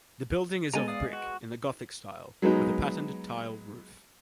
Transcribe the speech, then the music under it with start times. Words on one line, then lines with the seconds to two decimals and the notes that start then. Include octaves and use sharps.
The building is of brick, in the gothic style, with a patterned tiled roof.
0.74 G#3 B3 A4 G#5 A#5
0.88 D5 F5 D#6
1.13 F#4
2.42 F#3 G#3 B3 D#4